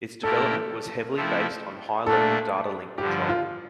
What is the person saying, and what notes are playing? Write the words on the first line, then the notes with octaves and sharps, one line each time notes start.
Its development was heavily based on High-Level Data Link Control.
A#2 A3 E4 G4 A4 A#4
F3 A3 C4 E4
A#2 A3 D4 A4
G2 D3 F3 G4
F4